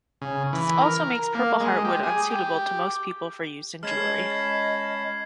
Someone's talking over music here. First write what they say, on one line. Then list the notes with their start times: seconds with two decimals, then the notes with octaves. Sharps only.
This also makes purpleheart wood unsuitable to most people for use in jewelry.
0.22 C#3
0.53 E3
0.81 A#4
1.35 A#3
1.60 G#3
1.85 G4
2.03 G#4
2.30 G4
3.83 G#3 C#4 D#5 A5 B5 F6 G#6 C7